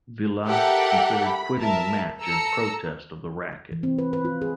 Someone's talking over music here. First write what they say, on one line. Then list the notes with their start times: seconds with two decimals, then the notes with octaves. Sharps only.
Vilas considered quitting the match in protest of the racquet.
0.46 G4 A4 A#4 E5 F#5 G5
1.24 B5
1.57 A#4 E5 A5
2.20 A4 A#5 E6 C#7
3.72 E3
3.83 C4
3.98 B4
4.13 B4
4.25 F4
4.42 G#4